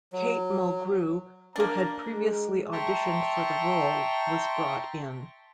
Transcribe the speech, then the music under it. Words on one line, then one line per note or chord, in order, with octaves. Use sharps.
Kate Mulgrew, who had previously auditioned for the role, was brought in.
F#3
A#3 D4 A#5
G#3
E5 G5 A5 A#5 C6 C#6